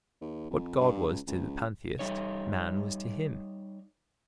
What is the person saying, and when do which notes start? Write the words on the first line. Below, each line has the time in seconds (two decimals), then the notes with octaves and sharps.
What God was to the pantheist, man was to Him.
0.21 D#2
0.51 F2
0.80 G2
1.08 C#2
1.27 C#2
1.99 G3 D#4 C#5